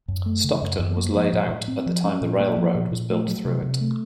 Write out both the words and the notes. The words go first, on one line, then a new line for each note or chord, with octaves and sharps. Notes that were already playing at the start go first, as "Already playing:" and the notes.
Stockton was laid out at the time the railroad was built through it.
F#2
A3
C#3
F#2
F#2
A#3
F3
A2
A2
C4
F3
C#4
A#2
A#3
F3
A#2
A#2
A3
F#3
C3
C3
A3